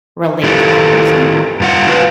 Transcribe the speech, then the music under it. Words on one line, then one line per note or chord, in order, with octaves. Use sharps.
relate to that person,
D#3 E4 F4 G4 A4
G2 F4 F#5
F4 F#4 B4 F5